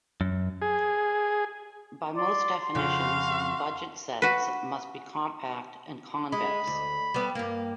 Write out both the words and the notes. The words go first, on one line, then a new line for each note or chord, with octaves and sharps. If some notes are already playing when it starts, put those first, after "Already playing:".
By most definitions, budget sets must be compact and convex.
F#2
G#4
D5 C6
F2 C#3 F#4 F5
F#4 B4
G#3 B5
D2
G3 B3
G2 A#3